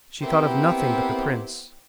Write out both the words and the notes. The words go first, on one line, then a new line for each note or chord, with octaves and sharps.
She thought of nothing but the prince.
B3 C4 E4 G4 A#4 C5